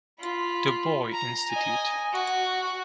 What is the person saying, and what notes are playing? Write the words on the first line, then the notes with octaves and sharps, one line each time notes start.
Du Bois Institute.
F4 B5
A#5
D#5 G#5
F#4